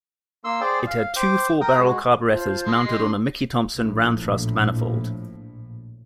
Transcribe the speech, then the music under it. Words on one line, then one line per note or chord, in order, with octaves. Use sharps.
It had two four-barrel carburetors mounted on a Mickey Thompson Ram-Thrust manifold.
A#3 C6 E6
G#4 C5 D5 G5
F5
C5 G5 D6
A#4 G5 D#6
G#3 F#4
F4 C5 A5
G#3 C6
G4 D#5
D4
A#1 A2